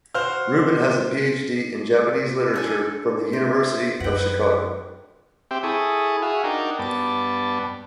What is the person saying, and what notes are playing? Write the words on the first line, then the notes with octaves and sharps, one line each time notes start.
Rubin has a Ph.D. in Japanese literature from the University of Chicago.
F#4 C5 F5 F6
D4 A4 G#5
C5 E5
F#2 B4 F#5 G5
C4 G4 E5 G5
E4 G#4 A4 C#6 D#6
F#4 G#4 E5 F5
D4 D#4 F#4 A#4 G5
G2 B3 D5 A5